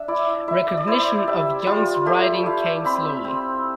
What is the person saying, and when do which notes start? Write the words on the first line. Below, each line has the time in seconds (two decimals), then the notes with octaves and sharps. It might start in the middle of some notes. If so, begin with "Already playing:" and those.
Recognition of Young's writing came slowly.
Already playing: D4 E5
0.08 E4 D5
0.47 E4 E5
0.67 D5
0.77 D5
0.87 E4 C5
1.08 D5
1.27 G3 E5
1.67 G3 F4
2.05 A3 G4
2.46 E4 F5
2.85 C4 B5
3.24 C4